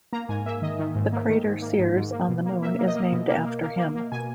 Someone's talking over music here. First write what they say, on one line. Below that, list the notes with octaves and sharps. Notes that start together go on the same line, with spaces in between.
The crater Seares on the Moon is named after him.
A#3 A#5
G#2 G#5
A#3 E5
D#3 D#5
D#3
G#2
A#3
D#3
G#2
A#3
G#2
G#2
A#3
B2
A#3
A#3 E5
A#3
D#5
A#3
B2
A#3
A#3
A#3
A#3
A#3
B2 G#5